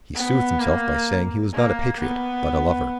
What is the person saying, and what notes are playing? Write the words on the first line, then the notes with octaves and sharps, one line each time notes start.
He soothed himself by saying he was not a patriot, but a lover.
B3
A#3
A#3
B3